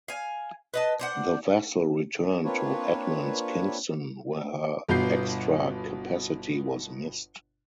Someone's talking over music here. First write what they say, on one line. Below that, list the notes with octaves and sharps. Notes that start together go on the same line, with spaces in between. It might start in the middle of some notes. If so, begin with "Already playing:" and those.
The vessel returned to Edmonds- Kingston where her extra capacity was missed.
F5 G#5
B4 D#5 A5
D4 C5 F#5
A#3 C4 D4 F4 B4 C#5
G1 B2 B4 G6 C7